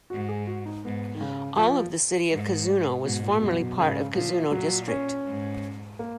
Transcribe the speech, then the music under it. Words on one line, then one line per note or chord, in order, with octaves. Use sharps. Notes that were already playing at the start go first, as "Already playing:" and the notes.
All of the city of Kazuno was formerly part of Kazuno District.
G#2 F#4
G#4
F#4
D#4
G#2 B3
D#3
C#3
F3
G#2
G#2 B2
A#2
F#2 B2
B2
G#2 C#3
A#2 F3
A#2 F#3
C#4
G#2
A#3